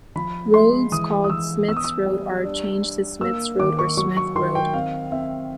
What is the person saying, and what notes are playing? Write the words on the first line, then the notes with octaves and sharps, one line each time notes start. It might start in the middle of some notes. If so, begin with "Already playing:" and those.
Roads called Smith's Road are changed to Smiths Road or Smith Road.
F3 B5
G#3 C6
E3 D#6
D#6
E3 E6
B3 E6
D#6
E6
G3
D4
D4
A#3 E6
D#3 D6
C#6
F#3 C#6
C#6
D#3 C6
G5
C4 F5
C4 E5